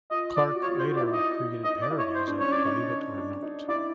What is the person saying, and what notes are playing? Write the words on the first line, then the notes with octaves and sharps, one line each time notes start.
Clarke later created parodies of Believe It or Not!
F4 D#5
D5
F#4
F4 C#5
F#4 C5
F#4
D5
E4
D#4 D#5
D#4 D#5
D5
E4
C#5
C5
D4
C#4 C#5
D4 D5
D#4 C#5
D4
D#4
E4 D5